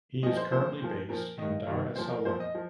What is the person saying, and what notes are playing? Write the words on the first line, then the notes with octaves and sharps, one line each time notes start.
He is currently based in Dar es Salaam.
A#2 F3 D#5
C5
A#2 F3 C5
A#2 F3
A#2 F3 A#4
G2 D#3 D#5
G2 D#3
A#2 F3 C5
A#4
A#2 F3 C5
D#5
F3